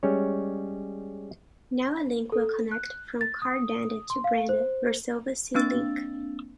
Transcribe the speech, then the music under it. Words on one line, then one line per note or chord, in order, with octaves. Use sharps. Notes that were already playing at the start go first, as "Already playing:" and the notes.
Now a link will connect from Khar Danda to Bandra - Versova Sea Link.
G3 G#3 C#4 C#5
A4
F#6
A6
D#6
C6
F5
C5
A#3 C4 D4 E6 A6